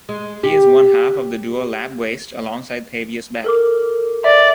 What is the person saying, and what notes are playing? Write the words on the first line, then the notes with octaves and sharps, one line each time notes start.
He is one half of the duo Lab Waste alongside Thavius Beck.
G#3
G4
A4 A#4 D6
D5 E5